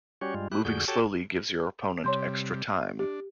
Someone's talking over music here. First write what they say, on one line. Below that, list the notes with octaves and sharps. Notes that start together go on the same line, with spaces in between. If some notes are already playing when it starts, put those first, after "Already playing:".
Moving slowly gives your opponent extra time.
G3 C#4 F#4 G4 C#5
G2 G3 G#3 F4
E4 G4 F#6
F2 D3 F#4 G#4 G6
F#4 G4 A4 C#5 G5 A5
C3 G3 C#5 C6 G6
D4 G4